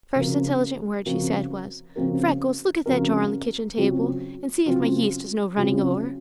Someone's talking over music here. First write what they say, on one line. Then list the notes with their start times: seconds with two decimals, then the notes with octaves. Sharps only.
The first intelligent word she said was: "Freckles, look at that jar on the kitchen table and see if my yeast is no running ower."
0.15 C#3 F3 C4 F#4 A#4
1.06 C#3 F3 C4 F#4 A#4
1.96 C#3 F3 C4 F#4 A#4
2.86 C#3 F3 C4 F#4 A#4
3.77 C#3 F#3 C4 F4
4.66 C#3 F#3 C4 F4
5.56 C#3 F#3 C4 F4